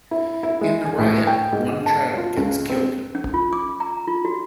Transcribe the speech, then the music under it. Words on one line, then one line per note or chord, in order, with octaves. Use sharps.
In the riot, one child gets killed.
E4
E4
G#3
G#5
A2
G5
G#2
A5
F4
C#2
C4
C#4
F4
D6
A#5
F4
F#4